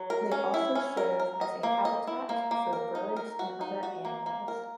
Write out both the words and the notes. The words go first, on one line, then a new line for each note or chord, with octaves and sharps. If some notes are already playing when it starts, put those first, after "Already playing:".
They also serve as a habitat for birds and other animals.
Already playing: F#3
A#4
C#4
E4
C#4
A#4
A#4
D#5
A#3
D#5
E4
A#3
A#3
A#4
D#4
A#4
F#4
D#4
F#4
A#3
A#3
A#4